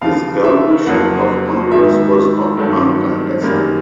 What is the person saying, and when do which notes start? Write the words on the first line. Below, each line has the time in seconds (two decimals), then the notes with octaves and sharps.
His governorship of Honduras was not uncontested.
0.01 D#2 C#3 F3 F5
0.44 E5
0.86 F2 C#3 F#3 A#3 F#5
1.71 G#2 D#3 G#3 E5
2.57 G2 D#3 F#3 A3
3.42 F#2 D#3 G3 A#3